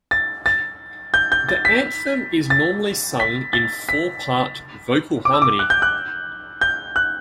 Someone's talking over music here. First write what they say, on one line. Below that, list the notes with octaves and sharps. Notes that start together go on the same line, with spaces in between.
The anthem is normally sung in four part vocal harmony.
A6
A6
G6
G6
A6
B6
A6
B6
A6
B6
D6
E6
D6
F#6
G6
F#6
G6
F#6